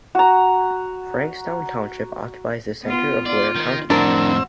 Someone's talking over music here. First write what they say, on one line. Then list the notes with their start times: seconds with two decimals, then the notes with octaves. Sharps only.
Frankstown Township occupies the center of Blair County.
0.15 F#4 A#5
2.83 B3 F4
3.26 F4 D5
3.57 D#3
3.90 F2 A2 C4 D4 F#4 A#4 E6